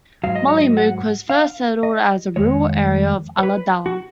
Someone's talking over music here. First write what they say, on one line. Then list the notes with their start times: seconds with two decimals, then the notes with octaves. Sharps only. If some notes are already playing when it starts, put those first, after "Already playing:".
Mollymook was first settled as a rural area of Ulladulla.
0.24 G#2 F#3 F5
0.35 D#5
0.48 C#5
0.59 D#5
0.77 F#5
1.30 F5
1.83 D#5
2.36 F2 D#3 G#3 C#5
3.39 C#5
3.43 B4
3.86 F#4